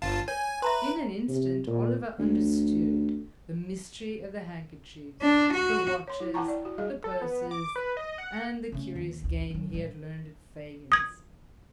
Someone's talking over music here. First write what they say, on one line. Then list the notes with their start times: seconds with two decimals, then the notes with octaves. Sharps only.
In an instant Oliver understood the mystery of the handkerchiefs, the watches, the purses and the curious game he had learned at Fagin's.
0.02 G1 F4 A5
0.28 C#5 G#5
0.62 B4 E5 A#5 C6
1.28 C3
1.67 A#2
2.19 D2
5.22 D4
5.54 F#4
6.08 C#5 C6
6.20 E4
6.34 E4 F#5 G5 A5 A#5 C#6
6.48 D5
6.65 F#4
6.78 G3 G#4 D#5
7.04 A4
7.22 B3
7.51 D6
7.76 B4
7.97 D#5
8.18 F#5
8.72 C#3 A3
8.95 D#2
9.22 A1 D2
9.50 E3 F#3
9.69 A1 G3
10.92 D#6 G#6